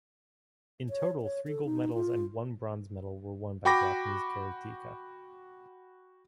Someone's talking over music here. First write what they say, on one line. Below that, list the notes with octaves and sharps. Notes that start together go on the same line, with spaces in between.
In total three gold medals and one bronze medal were won by Japanese karateka.
C#5
C#5
A4
D#4
F4
F#4 G5 B5 D6 A#6